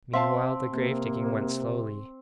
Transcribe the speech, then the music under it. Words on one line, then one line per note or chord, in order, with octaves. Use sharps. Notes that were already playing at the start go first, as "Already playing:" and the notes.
Meanwhile the grave digging went slowly.
C4 E5 F5 A5 C6
C3 A#3